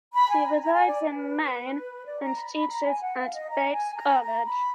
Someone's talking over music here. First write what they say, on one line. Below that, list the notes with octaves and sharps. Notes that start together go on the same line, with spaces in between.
She resides in Maine and teaches at Bates College.
B5
G#5
A#5
A#5
G#5
D5
B4
D5
A#5
B5
B5
A#5
G#5
F#5
F5
D#5
A#5
G#5
A#5
A#5
B5